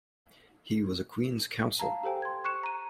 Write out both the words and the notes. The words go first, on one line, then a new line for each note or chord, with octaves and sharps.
He was a Queen's Counsel.
F5 A5 A#5
G4 A4 C5 G5 G#5
C6 G#6
C#6 F#6 C#7 E7
A#5 D#7